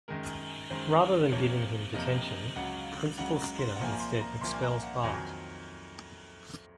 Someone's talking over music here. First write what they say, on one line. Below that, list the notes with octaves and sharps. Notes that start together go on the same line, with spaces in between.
Rather than giving him detention, Principal Skinner instead expels Bart.
F#2 D#3 G#3 A#4
F#2 D#3 G#3 C5
F2 C3 F3 A#3 C#5
F2 C3 F3 A#3 D#5
C#2 C#3 F#3 F#5
F5
C#2 C#3 F#3 F#5
A#5
C6
F#5
C2 A#2 F3 A#3 G#5
A#5
C6
A#5
C2 A#2 F3 A#3 C6
G#5
A#5
F#5
F2 D#3 F#3 G#5